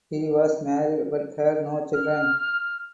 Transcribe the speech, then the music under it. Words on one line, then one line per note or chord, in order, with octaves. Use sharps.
He was married but had no children.
F6